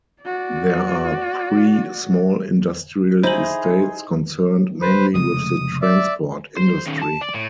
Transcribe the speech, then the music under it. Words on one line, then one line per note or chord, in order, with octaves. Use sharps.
There are three small industrial estates concerned mainly with the transport industry.
F#4 D5
D#4 E4 G#4 A4 C5 D#5 C6 F#7
B4 C5
F1 C#3 G#3 D#6
D5 E5
C5
D#3 C#4
A5
D5
A2